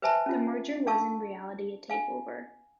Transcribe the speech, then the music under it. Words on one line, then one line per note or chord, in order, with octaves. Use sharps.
The merger was in reality, a takeover.
B4 C5 E5 G#5 A5 B5
C#4 F4
D4 F5 A5 C#6 E6
F5 G#5